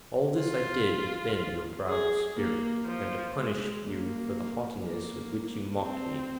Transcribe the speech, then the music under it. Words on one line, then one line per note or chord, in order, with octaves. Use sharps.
All this I did to bend your proud spirit, and to punish you for the haughtiness with which you mocked me.'
F4
G#4
A#3
F3
G#3
A#3
A#3
C4